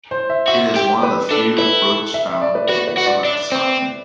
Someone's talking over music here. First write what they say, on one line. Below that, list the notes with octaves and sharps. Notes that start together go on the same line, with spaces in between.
It is one of very few brochs found in southern Scotland.
C5
E5
F#4 E5
G4 G5
B4
D4 A4
E4 B4
E5
E5
D5
B4
F#4 B4
B4
F#4
D5
D4
C4